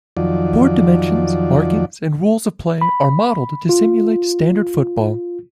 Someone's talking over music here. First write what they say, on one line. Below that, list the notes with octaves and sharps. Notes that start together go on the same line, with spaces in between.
Board dimensions, markings, and rules of play are modeled to simulate standard football.
F2 D#3 F3 F#3 D5
B5
F4